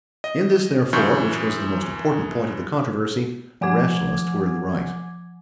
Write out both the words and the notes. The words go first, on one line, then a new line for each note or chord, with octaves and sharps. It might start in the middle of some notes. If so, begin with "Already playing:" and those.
In this, therefore, which was the most important point of the controversy, the rationalists were in the right.
D#5
F#2 E3 C#6 G6
F3 F#5 G#5 D6 G#6